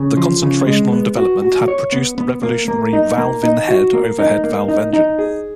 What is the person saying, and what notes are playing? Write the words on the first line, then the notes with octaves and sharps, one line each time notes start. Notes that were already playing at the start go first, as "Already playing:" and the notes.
The concentration on development had produced the revolutionary "Valve-in-Head" overhead valve engine.
Already playing: C#3
F3
C#3
G#3
B3
F#4
F#4
C#5
B3
B3
A#3
A#3
D#4
A#3
D#4
F#4
A#3
D#4
A#3
D#4
D#4
G#4